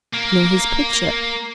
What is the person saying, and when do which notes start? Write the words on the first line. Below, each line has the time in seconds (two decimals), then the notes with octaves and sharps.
"Nor his picture?"
0.13 A#3